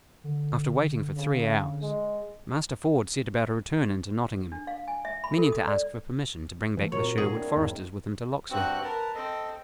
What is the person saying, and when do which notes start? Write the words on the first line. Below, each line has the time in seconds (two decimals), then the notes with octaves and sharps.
After waiting for three hours, Master Ford set about a return into Nottingham, meaning to ask for permission to bring back the Sherwood foresters with him to Locksley.
0.24 D3
1.17 C#3
1.82 G#3
4.52 D4
4.67 F5
4.88 G#5
5.05 E5
5.24 B5
5.38 A4
5.52 D#6
5.67 D5
6.77 E3 A3
6.92 A#2 F#3 A#4 C#5
7.04 C4
7.18 C4 G#4 C#5
7.32 A#3 D4 E4
7.56 E2 G#2 D#4 E4
8.50 G2 C4 F#4 F#6
8.84 A#4 B4 A5
9.15 C4 A4 D#5